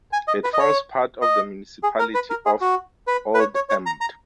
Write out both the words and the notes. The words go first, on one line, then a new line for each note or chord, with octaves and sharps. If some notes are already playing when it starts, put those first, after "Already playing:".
It forms part of the municipality of Oldambt.
G#5
D#5
B4
D#5
C#5
D#5
G#4
A#4
B4
A#4
G#4
F#4
B4
B4
C#5
C#5
C#5
A#5
A#5